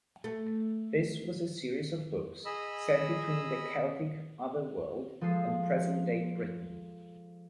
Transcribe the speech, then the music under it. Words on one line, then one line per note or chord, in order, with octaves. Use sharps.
This was a series of books set between the Celtic Otherworld and present-day Britain.
A3
G#4 D#5 B5 E6
F3 G#3 A4 D#6 C7